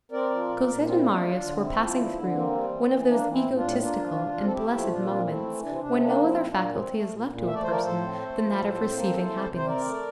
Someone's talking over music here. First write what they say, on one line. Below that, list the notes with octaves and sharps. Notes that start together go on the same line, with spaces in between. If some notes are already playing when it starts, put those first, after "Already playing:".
Cosette and Marius were passing through one of those egotistical and blessed moments when no other faculty is left to a person than that of receiving happiness.
C4 A#4 D5
F3
A#2
A#2
C4 F4
E4
A3 D4 F4
D3
D3
C4 E4
F3
D3
D3
A#3 C4
G3
E3
E3
A#3 D4
E3
C4 E4
A2
D4 F4
A2
A#3 D4 F4
F3
C3
C3
A4
A3 E4 G4
F3
A#2 D4 F4
C4
A3 C4 E4
E3
C3 D4
C4
C3 D4
A#3 D4
F3
C4 E4
A#2
D4 F4
A#2
C4
A3
A#2
A#2
A3 E5
D5
F3 C5
A#4 D5
A2 A4 C5
C4
A3
F3
A2
C4
A#3
E3
C3
C3
C5
C4 A#4 D5
A3